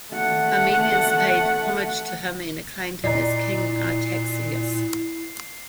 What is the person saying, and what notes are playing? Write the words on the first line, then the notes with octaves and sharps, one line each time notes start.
Armenians paid homage to him and acclaimed him as King Artaxias.
A3 F#5
A#2 E4 D5 D#5 A#5 C7